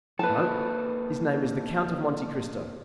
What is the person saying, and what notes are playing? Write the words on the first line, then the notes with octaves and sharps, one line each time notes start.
"No, his name is the Count of Monte Cristo."
A#3 D#4 A4 B4 A5